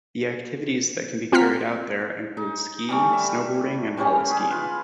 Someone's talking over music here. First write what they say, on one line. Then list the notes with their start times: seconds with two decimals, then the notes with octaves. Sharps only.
The activities that can be carried out there include ski, snowboarding, and heli-skiing.
1.32 C4 F4 F#5 A#5 F6 B6
2.37 D#4
2.89 E3 G3 A3
3.13 E5
3.97 E3 G3 C#4 G4
4.31 G#4
4.51 F4 B4